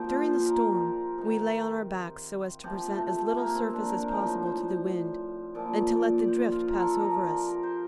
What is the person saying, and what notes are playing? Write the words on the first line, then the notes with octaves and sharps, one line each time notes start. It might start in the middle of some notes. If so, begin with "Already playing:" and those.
During the storm we lay on our backs so as to present as little surface as possible to the wind, and to let the drift pass over us.
Already playing: A#2 F3 G4 C5 D5
F4
C5
C5
A#4
C3 D#3
C3 F3 G4
A3
A3
A3
A#3
C4
D4
A#4
A2 F3 C5
C5
A#2 F3 D5
D5
D5
D5
C5
F4
A#4
A4
A4
C3 F3 A#4
D5
C5